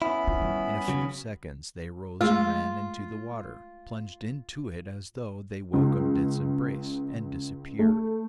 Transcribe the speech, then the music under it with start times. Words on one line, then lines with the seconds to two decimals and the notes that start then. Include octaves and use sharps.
In a few seconds they rose and ran into the water, plunged into it as though they welcomed its embrace, and disappeared.
0.02 B3 C#4 E4 B5
0.28 F4
0.42 G3
0.88 C#3 F#3
2.21 G#3 A3 F4 G#4
5.73 C#2
7.79 A3